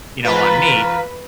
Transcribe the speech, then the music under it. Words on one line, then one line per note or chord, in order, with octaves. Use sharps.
you know, on me.
E2 A#3 F4 B4